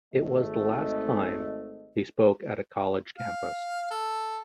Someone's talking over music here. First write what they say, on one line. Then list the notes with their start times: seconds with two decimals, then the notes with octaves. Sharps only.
It was the last time he spoke at a college campus.
0.14 G#1 A3 D#5
3.18 F5
3.91 A4